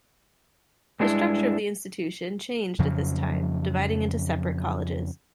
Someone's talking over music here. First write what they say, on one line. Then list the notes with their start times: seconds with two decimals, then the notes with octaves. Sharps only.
The structure of the institution changed at this time, dividing into separate colleges.
1.00 G2 G#3 D4 E4
2.79 F2 C#3 F3 F#3